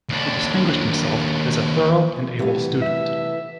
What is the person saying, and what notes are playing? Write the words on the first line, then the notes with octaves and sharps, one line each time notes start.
He distinguished himself as a thorough and able student.
D#2 D4
C3 E3 G3 A3 B3
E5